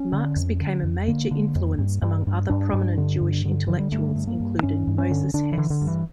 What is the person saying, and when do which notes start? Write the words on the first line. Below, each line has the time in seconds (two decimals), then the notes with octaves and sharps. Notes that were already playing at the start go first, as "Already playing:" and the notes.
Marx became a major influence among other prominent Jewish intellectuals including Moses Hess.
Already playing: C#4
0.12 D3
0.36 F2
0.61 D3
0.83 F2
1.08 D3 A#3
1.31 D3
1.55 F2
1.79 G2
2.02 G2
2.27 G2
2.49 G2 D4
2.73 G2
2.97 D3
3.21 G2
3.45 D3
3.68 D3 F3
3.79 G3
3.92 G2 A3
4.15 G2
4.27 A#3
4.40 G2
4.63 G2 C#4
4.87 G2
4.98 C#4
5.11 D3
5.34 D3 D4
5.52 E3
5.58 D3
5.70 D3
5.81 G2
5.87 E3